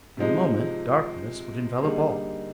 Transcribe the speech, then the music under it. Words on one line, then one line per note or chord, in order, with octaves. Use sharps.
In a moment darkness would envelop all.
C3 F3 G#3 D#4
D3 G3 A#3 D#4 G#4